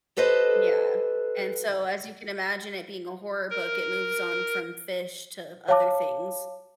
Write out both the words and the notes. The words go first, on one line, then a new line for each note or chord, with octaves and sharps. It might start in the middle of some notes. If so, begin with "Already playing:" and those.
Yeah, and so, as you can imagine it being a horror book, it moves on from fish to other things.
G4 A4 B4 C5 D#5
A#4
C#5 F5 A5 D6